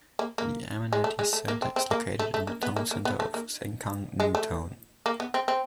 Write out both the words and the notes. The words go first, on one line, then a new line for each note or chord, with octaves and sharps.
The amenity centre is located in the town centre of Sengkang New Town.
A#3
A#3
G#3
A3
G#3
A3
A#3
C4
C4
A#3
A3
A3
A#3
B3
A#3
A#3
B3
A3
A#3
G#3
A3
A#3
B3
C4
C4